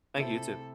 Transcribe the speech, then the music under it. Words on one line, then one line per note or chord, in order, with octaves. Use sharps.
Thank you. You too.
C3 A3 E4 A4 C5 E5